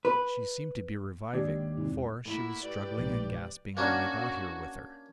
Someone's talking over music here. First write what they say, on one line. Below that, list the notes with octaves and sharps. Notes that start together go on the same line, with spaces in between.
She seemed to be reviving, for she was struggling and gasping when I got here with her.
B4
D#2 G#3 D4 G4
E2 G#2 C3 D#4
A2 A#3 E4 F#4
G4 B4 D5
A#1 G#2
A#3 C#4 D4 F#4